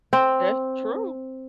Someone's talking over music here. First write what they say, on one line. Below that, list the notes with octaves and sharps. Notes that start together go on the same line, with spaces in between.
That's true.
C4